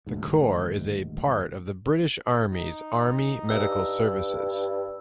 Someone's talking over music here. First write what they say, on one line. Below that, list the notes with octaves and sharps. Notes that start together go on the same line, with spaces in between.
The corps is a part of the British Army's Army Medical Services.
D#1 G#1 D2 G#2
D#4
G2 E6